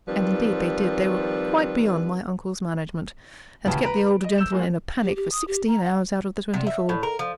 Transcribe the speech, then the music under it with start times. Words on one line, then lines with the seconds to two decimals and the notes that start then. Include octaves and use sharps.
And indeed they did; they were quite beyond my uncle's management, and kept the old gentleman in a panic for sixteen hours out of the twenty-four.
0.08 D#3 F3 G3 C4 B4
3.65 D#1 D2 C#3 E3 G5 A5
3.83 B4 A#5 D7
4.24 D#5
4.38 E6 G6 E7
4.52 G#3 A#3 F4 F#4
5.03 G4
5.16 G4
5.32 D#6
5.48 G4
5.67 A#5
5.84 F#5
6.54 C3
6.67 E5
6.89 A2
7.03 A#4
7.19 F3